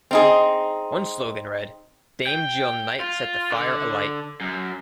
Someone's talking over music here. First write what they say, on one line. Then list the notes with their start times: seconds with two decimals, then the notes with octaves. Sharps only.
One slogan read: Dame Jill Knight Set The Fire Alight!
0.11 C4 D#4 G#4
2.26 G5
3.00 F4
3.51 D3
4.41 F#2